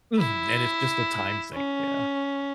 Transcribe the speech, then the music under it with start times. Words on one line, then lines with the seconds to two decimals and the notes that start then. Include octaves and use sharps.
Mhm, and it's just a time thing. Yeah.
0.18 E4
1.53 C#4